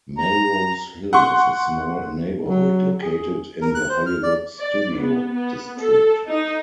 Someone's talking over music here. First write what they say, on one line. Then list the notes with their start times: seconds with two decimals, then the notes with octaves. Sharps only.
Melrose Hill is a small neighborhood located in the Hollywood Studio District.
0.18 A#5
1.13 F#5 C6 C#6
2.48 F#3
3.02 G#4
3.61 A#4
3.75 F#6
3.89 C5
4.06 F6
4.23 D5
4.59 D5
4.97 B3
5.34 B3
5.79 A4
6.28 D#4